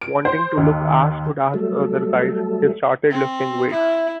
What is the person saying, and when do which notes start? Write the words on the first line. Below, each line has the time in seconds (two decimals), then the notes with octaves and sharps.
Wanting to "look as good as the other guys", he started lifting weights.
0.01 D7
0.25 C5
0.57 D#2
1.54 F#3 G3 A3 A4
3.11 C4
3.71 E4